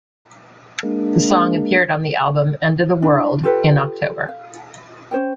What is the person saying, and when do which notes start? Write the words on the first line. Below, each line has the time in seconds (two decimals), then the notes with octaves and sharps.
The song appeared on the album "End of the World" in October.
0.83 G#3 A#3 D4
3.02 D4 E4 F5
3.43 F4 G4 A4 B4
4.29 F5
5.11 C#4 C5 C#5 G5